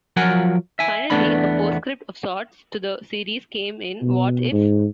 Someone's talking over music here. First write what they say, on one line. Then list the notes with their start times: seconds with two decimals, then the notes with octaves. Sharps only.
Finally, a postscript of sorts to the series came in What If...
0.16 F3 F#3 F4 A#4 F#5 G#5
0.79 E5 G#5
1.10 E2 A3 B3 D4 B5
4.02 B2
4.52 G#2